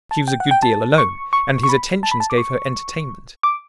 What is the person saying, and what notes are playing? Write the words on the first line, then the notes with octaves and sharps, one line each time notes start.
She was a good deal alone, and his attentions gave her entertainment.
A5
G5
F#5
G5
A5
C#6
C#6
C#6
B5
A5
B5
A5
D6
C#6
D6